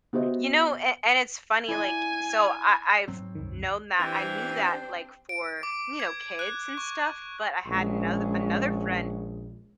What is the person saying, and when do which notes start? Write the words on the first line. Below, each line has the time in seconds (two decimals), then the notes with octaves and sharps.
you know, a and it's funny, like, so I I've known that I knew that like for, you know, kids and stuff, but I had anoth another friend
0.13 B3 F#4 G4 C5 D#5 E5
1.68 E4 D5 G#5
3.08 G#2 F#3 C4
3.35 C2 F#2 D#3
3.99 E3 C4 D4 G4 C5 G5
5.29 D7
5.63 D6
6.00 G#6
6.39 F#6
6.77 C#6
7.68 A#1 G#3 C#4